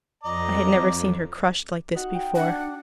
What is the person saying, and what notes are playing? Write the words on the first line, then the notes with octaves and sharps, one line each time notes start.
I had never seen her crushed like this before.
F2 D5 D#5 A#5
D#4 F#4 F#5
G5
D4 F#5